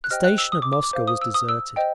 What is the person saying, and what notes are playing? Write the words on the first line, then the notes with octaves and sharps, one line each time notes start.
The station at Moscow was deserted.
F#6
G4 C5 D#5 G5 F6
F#6
E6
D#6
D6
D6
D6
C5 F5
D#6
E6
D#6
E6
C5 D#5 G5